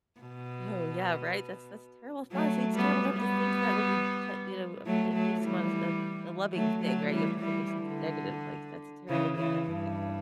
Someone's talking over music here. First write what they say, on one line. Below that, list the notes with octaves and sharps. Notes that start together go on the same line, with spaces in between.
Oh, yeah, right? That's that's terrible thoughts. It's terrible to have to think that when you t You know, uh, eh, give someone a s a loving thing, right? You have to think of something negative. Like, that's a terrible thing to have to think that way
B2
F#3 A3
G3 B3
G3 B3
F#3 A3
F#3 A3
E3 G3
F#3 A3
F#3 A3
E3 G3
E3 G3
D3
C#3 E3
C#3 E3
G2